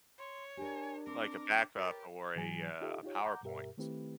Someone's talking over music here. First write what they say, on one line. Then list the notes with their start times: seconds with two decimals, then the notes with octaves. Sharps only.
Like a backup or a, uh, a PowerPoint.
0.18 C#5 C6
0.57 D4 G4 A#4 G#5
1.07 C4 A#4 D6
1.76 G4 A#4 B4 C#5 A6
2.36 G#2 E3 F#3 G#5 A6
2.81 D#4 F4 G4 A4 D#5 E5
3.03 D#4 F4 G4 C#5
3.23 F#5 A#5 D6 G6
3.43 G2 B2 G4 A#4 E5
3.78 D#3 A3 C4 E4 G4 B4